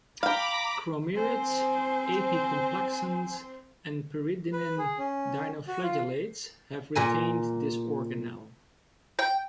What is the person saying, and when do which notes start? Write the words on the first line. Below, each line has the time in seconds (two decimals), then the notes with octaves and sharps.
Chromerids, apicomplexans, and peridinin dinoflagellates have retained this organelle.
0.23 F5 G5 A#5 B5 D6
1.16 C4 C5 G#5
4.53 B4
4.78 G#4
4.98 C#4
5.68 F#4
5.83 F4
6.95 A#2 A#4 G#5
9.19 G5